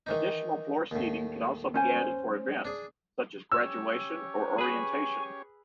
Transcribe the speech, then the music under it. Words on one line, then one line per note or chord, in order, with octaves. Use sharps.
Additional floor seating can also be added for events such as graduation or orientation.
D#3 E3 D#4
D#2 A2
C#4 C5 G#5
D4 G#4
C#4 G4 C#5 E6
G#4 B4 G#5 C#6